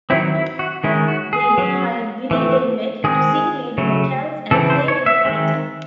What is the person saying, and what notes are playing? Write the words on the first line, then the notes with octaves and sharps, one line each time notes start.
They then hired Billy Denmead to sing lead vocals and play rhythm guitar.
D#3 F#3 C4 E4
E4
F#4
D#3 G#3 C#4 E4
F#4
G#4
F#3 C#4
E3 A3 C4
D#3 G#3 C4 G#4
C#3 F#3 A3
C#3 E3 C4 A4
C5
C#5
E5
D#3 G#3 C4